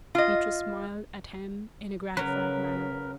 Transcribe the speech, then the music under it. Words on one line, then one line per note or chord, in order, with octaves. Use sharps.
Beatrice smiled at him in a gratified manner.
F4 D#5
C#3 F#3 A#4 B4